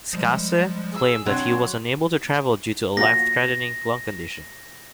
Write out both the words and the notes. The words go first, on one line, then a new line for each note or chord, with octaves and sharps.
Skase claimed that he was unable to travel due to a life-threatening lung condition.
F3 G3 G#3
G#4 E6
F#3 C4 D4 G5 C6
A#3 F4 F#4 A#6